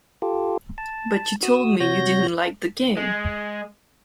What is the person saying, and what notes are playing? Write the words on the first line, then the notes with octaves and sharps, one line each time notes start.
But you told me you didn't like the game.
F4 G4 A4
A5
F#4 D#6 E6
C3 F#4 C#5 G6 A#6
G#3